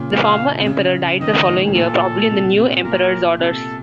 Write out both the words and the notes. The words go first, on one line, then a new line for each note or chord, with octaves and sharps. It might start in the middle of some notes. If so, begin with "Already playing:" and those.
The former emperor died the following year, probably on the new emperor's orders.
Already playing: A#2 C#3
A#2 F5
C3
C#3
D#3 D#5
A2
A2
A#2 A4
C3
C3
A#2 A#4
C3 A4